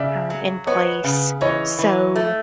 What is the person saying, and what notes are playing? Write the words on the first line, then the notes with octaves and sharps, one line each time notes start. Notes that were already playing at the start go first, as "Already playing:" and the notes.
um, in place. So,
Already playing: C#3 D5 E5
F#3
B3 C#5 D#5
C#3
E3 C#5 D#5
E3
A3